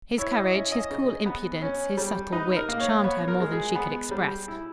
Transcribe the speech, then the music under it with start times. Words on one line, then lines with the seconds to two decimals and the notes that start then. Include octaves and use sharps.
His courage, his cool impudence, his subtle wit charmed her more than she could express.
0.18 E4 C#5
0.36 D#5
0.54 C#4 E5
0.72 D#5
0.90 C#3
1.26 B3
1.62 C#4
1.97 G3
2.32 D#4 B4
2.56 A#4
2.69 A#3
2.80 C#5
3.04 B3 C#5
3.28 A#4
3.40 G#3
3.52 G#4
3.75 B3
4.11 G3
4.48 E4